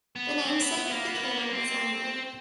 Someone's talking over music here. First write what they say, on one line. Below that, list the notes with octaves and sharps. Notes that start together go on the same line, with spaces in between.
The namesake of the cannon is unknown.
B3
C4
B3
B3
A#3
B3
A#3
B3
A#3
C4